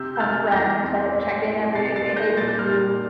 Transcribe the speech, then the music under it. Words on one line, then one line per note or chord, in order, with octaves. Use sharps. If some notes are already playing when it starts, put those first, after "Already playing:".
a friend to check-in every day, say, "Hey, did you
Already playing: C3 E6 G6
G6
C3 F6 A6
E2 G6 A#6
C4
A2
A2
C3 A6 C7
A6 C7
A#3
G6 A#6
A#2 A6
G6
F6 A6
A#2